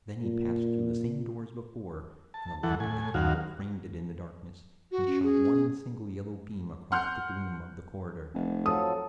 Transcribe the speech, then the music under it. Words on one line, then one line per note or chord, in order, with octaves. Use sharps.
Then he passed through the same door as before, and the light of the candle framed it in the darkness and shot one single yellow beam across the gloom of the corridor.
A#2
A5
E2 E3 A4 F#5
A2 G#5
D#2 F#4 F5
F#4
C#4
G#4
F#5 C6 F6 G6
F1
F3 F#3 A4 D#6